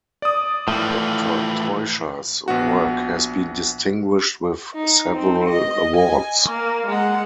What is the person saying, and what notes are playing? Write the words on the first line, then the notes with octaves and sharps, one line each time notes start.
Doctor Teuscher's work has been distinguished with several awards.
D5 D#6
A2 E3 F3
A#1 B3 F#4
D#4
C4
D#5
G#5
A#3
G#3 F#5